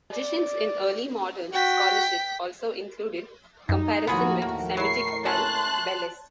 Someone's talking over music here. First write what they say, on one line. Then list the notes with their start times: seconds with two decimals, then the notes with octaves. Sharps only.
Suggestions in early modern scholarship also included comparison with Semitic Bel, Belus.
0.14 D5
1.53 F#4 G5 B6
3.69 F#2 D#4
4.07 D#2 A2 F3 B3 F4 F#4 G#4 A#4
4.42 A#3
4.77 F#3 E4 C#6 C7
5.25 G#3 A3 C#4 A5 C6 F#6